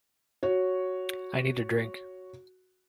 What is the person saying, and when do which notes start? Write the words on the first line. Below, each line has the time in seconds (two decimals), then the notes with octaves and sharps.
I need a drink.
0.43 F#4 C#5